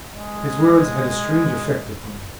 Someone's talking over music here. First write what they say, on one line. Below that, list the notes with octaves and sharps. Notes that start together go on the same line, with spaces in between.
His words had a strange effect upon me.
G#3